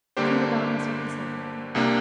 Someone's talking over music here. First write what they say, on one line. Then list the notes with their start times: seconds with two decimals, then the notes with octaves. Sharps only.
Tinker Bell answered insolently.
0.17 G1 G2 D3 A#3 D4 G4 C5
1.75 C2 C3 A#3 D4